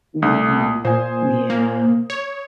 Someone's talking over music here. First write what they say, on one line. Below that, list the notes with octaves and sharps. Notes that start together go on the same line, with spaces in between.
Mhm. Yeah.
C2 A3 D#6
A#2 C5 G#5
A#3
C#5